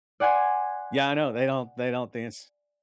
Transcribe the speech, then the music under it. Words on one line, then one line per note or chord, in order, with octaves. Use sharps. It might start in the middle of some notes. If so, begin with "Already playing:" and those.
Yeah. I know, they don't they don't the ins
D5 F#5 G#5 C6 G#6